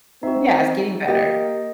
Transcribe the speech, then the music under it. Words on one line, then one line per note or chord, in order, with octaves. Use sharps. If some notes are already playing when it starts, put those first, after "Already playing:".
yeah, it's getting better.
C4 D#4 F#4 E5
A#3 G4 D#5